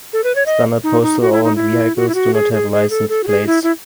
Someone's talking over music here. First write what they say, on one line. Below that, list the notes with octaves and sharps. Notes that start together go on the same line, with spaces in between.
Standard postal-owned vehicles do not have license plates.
A4
B4
C#5
D#5
D#4
D#4
F#4
E4
D#4
E4
F#4
E4
F#4
G#4
G#4
G#4
A4
A4
F#4
G#4
E4
E4